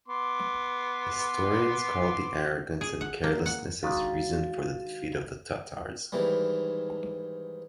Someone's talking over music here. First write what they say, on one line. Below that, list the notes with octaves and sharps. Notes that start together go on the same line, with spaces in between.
Historians call the arrogance and carelessness as reason for the defeat of the Tatars.
B3 C6 D6
G#4
F#5
A#3
F#5
D#3 G#3 D4 F#4 F5 A6
G#2 D#3 E3 G3